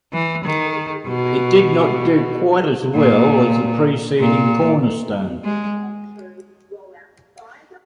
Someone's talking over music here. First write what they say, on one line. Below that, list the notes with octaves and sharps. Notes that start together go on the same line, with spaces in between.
It did not do quite as well as the preceding "Cornerstone".
E3
D#3
B2
A#2
A#2
G#3